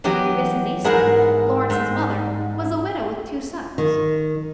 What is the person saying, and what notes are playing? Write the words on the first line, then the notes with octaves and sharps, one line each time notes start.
Mrs. Eastman, Lawrence's mother, was a widow with two sons.
E3 F#3 B3 G4 D#5
G#2 E4 G#4 A#4 F#5
G#2
D#3